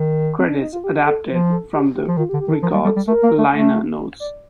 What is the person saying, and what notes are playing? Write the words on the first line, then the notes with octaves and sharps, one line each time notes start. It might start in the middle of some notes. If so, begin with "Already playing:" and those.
Credits adapted from the records' liner notes.
Already playing: D#3
C4
D4
D#4
F4
G4
A4
F3 C5
A4
G4
G4
F3
D#3 F4
G4
D3
G4
D#3
A4
F3 A#4
G3
G3 A4
G3
A3 A#4
A#3
A3
A3
D5